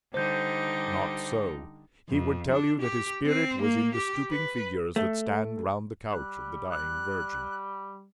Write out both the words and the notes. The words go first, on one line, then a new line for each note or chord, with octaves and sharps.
Not so; he would tell you that his spirit was in the stooping figures that stand round the couch of the dying Virgin.
D3 G3 D#4 C5 G6
F2
D4
G4
C4
A#3
G4
B4
A3
G3 F#6
F#6